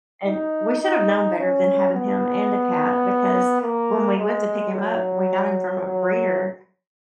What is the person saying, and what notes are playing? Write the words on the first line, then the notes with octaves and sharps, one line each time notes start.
and we should've known better than having him and a cat, because when we went to pick him up- we got him from a breeder-
D#4
D#4
C#4
B3
A#3
G#3
F#3
F#3